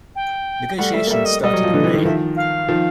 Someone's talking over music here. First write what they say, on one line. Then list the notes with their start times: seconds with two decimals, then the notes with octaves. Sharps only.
Negotiations started in May.
0.15 G5
0.78 G3 A3 F#5
0.94 G3 A3 E5
1.06 A#3
1.10 G3 A3 E5
1.25 D#5
1.42 G3 D#5
1.53 F#3
1.64 F3
1.74 D3 E3
1.84 D3 E3
1.94 D#3
2.05 D#3 F3 E5
2.37 F5
2.68 D#3 F3